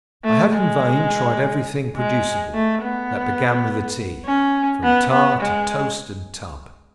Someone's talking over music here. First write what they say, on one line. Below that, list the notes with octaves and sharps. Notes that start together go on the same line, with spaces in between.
I had in vain tried everything producible that began with a T, from tar to toast and tub.
A3
G#3
G#3
A3
B3
C#4
B3
B3
G#3